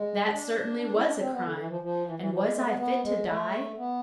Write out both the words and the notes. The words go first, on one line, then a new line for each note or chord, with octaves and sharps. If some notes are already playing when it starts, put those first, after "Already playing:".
That certainly was a crime: and was I fit to die?
Already playing: G#3
D4
D4
E4
D4
C4
B3
D3
E3
F3
F3
E3
E3
F3
G#3
A3
B3
B3
G#3
A3
B3